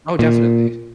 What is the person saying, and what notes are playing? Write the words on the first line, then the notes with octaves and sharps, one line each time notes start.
Oh, definitely.
A#2